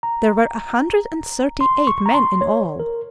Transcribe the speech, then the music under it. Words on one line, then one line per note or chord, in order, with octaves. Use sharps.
There were a hundred and thirty-eight men in all!
A#5
C6
C#6
A#5
C6
C#5
A#4